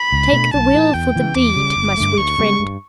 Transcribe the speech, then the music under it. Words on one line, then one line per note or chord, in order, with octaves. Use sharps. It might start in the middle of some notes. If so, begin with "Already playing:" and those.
Take the will for the deed, my sweet friend.
Already playing: B5
C#2
B2 A3 D4
B1 A5
A2 E3
E2 G5
C#3 E3 B3
E2 D6
C#3 G3
G1
G2 D3 A3
D2 C#6
C#3 G3 B3
G2